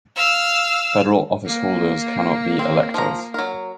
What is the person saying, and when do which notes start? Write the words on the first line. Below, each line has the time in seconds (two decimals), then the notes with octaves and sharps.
Federal office holders cannot be electors.
0.16 F5 E6
1.45 A#3
2.59 C4
2.94 F3 A#5
3.34 F#3 A#4